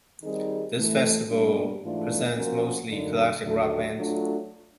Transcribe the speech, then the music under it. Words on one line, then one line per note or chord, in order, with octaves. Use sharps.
This festival presents mostly classic rock bands.
D#3 G3 C4 D#4 G#4
A2 E3 A3
B2 G3 A#3 D4
G#2 E3 A3 D4 F4
F3 A#3 C#4 F#4 A#4
F#2 D3 F#3 A#3 D#4
D#2 D3 F#3 A3
F#3 A3 D4 F4